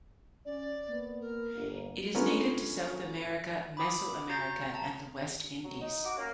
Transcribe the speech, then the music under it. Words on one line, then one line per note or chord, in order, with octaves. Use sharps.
It is native to South America, Mesoamerica, and the West Indies.
C#4 D5
A#3 B3
A#4
G1 A#3
D3 A3 B3 C#4 F4 A#4
B5 D6 D#6
F#4 A#5 G6 A6 A#6
A5 A#5
F#3
D#4
F#4 D6
A#3 C#4